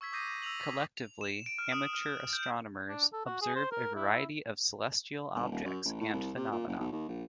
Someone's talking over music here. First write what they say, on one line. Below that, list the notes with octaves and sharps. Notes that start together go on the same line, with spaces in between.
Collectively, amateur astronomers observe a variety of celestial objects and phenomena.
C#6 E6 G#6 B6
D6 D#6 G6 A#6 C7 D#7
A#6
E6 A#6 D#7 F7 F#7
B6
F7
E7
D7
F6
D#6
F6
G6
D4
A4
F#4
G#4
C5
A#4
E4
G1
D#1
F#2
A1
A2
C2
C3
A#2
F#1
B1
D#2
A#1